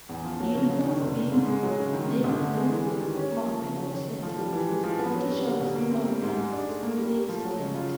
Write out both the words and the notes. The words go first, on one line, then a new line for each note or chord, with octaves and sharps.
Uniforms being; navy blue or purple shirt, khaki shorts or pants, plaid skirt.
E2
F3
F#3
C#3
F#3
D#3
F1
C#3
G#2
G#3
F#3
C#3
D#3
C3
G1
D3
G#3
E3
G3
D#3
C#4
A#3
F3
C#3
F#3
D#3
A3
F3
G3
E3
G#3
F3
B3
F#3
G3
D3
B2
A#3
C4
G3
G#2
G#3
D4
A3
A#3
G3
A3
F3
F#3
C#3
F4